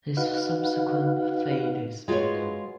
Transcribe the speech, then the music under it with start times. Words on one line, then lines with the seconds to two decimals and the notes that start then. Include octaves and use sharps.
His subsequent fate is unknown.
0.17 D#4 F#4 B4 F5 F#5
2.08 G#3 F4 F#4 A#4 B4 C#5